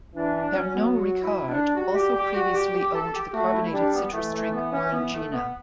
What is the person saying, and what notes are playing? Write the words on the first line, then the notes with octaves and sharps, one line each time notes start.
Pernod Ricard also previously owned the carbonated citrus drink Orangina.
E3 D4
D4
F#3 C#4
B3
F#4
E4
D4
G3 F#4
G4
G4
F#4
G4
G4
A4
G4
A3 F#4
E4
G3 D4
B3
E3 A3
A3
B3
C#4
B3
A3
B3